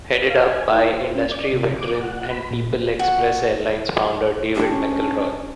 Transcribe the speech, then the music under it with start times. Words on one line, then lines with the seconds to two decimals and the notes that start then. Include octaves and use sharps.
Headed up by industry veteran and People Express Airlines founder David McElroy.
0.30 F5
0.49 G#5
0.71 E4
0.93 C5
1.15 C#4
1.31 D5
1.53 C3
1.77 D6
2.01 F#5
2.30 B5
2.51 A#2
2.99 F#4
4.55 D4 G4
4.71 C#4